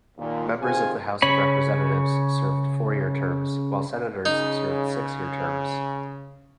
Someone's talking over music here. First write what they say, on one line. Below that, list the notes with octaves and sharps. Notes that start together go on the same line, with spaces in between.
Members of the House of Representatives served four-year terms, while senators served six-year terms.
D#2 A#2
C3 D#3 F4 G#4 C5 G#5
C#3 C#4 C#5 B5
C#3 D#4